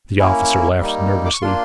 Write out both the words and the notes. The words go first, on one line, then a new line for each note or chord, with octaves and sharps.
The officer laughed nervously.
A#3 C#4 E4
G3 A#3 D#4
D6
C#6
A#3 D4 F4 C6